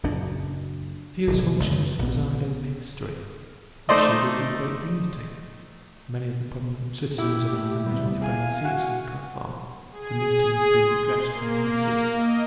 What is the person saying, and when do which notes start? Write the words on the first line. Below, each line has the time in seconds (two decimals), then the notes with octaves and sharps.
Clio's function was to preside over history--which she did with great dignity, many of the prominent citizens of Athens occupying seats on the platform, the meetings being addressed by Messrs.
0.03 F#1 F#2 A#2 D4
1.27 D1 G#1 B2
1.60 F#1 C#2
1.99 A#1 B3
3.89 A3 D#4 A4 C5 D5 D#5
7.18 E4 G4
7.52 A2
7.86 D2 C3 G3 B3
8.22 G#4 F5 G#5
8.65 F#4
9.91 G#4
10.80 C6
11.28 A#3
12.14 D#5